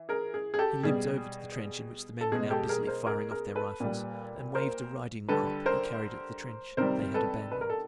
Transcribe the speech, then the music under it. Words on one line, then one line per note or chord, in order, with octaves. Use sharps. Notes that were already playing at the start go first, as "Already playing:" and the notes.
He limped over to the trench in which the men were now busily firing off their rifles and waved a riding-crop he carried at the trench they had abandoned.
Already playing: E3
G#4 A#4
G#4
G#4
G4 A4
B2 G3 G#4
A4
B2 G#3 G#4
G4 A4
G#4 A#4
A#4 C5
G#4 A#4
G#4 A#4
A4 B4
A#2 G3
A#4 C5
D3 G3 A4 B4
A#4 C5
C3 D#3 G3 A#4 C5
A4 B4
B4
A#4
A4